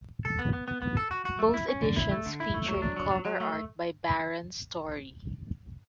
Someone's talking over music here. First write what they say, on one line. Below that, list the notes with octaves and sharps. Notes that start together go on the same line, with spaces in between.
Both editions featured cover art by Barron Storey.
A4
B3
B3
B3
B3
A4
F#4
F#4
A3
E4
C#4
D3
E4
A3
D3
E4
A3
F#3
D4
F#3
F#3
F#3
A3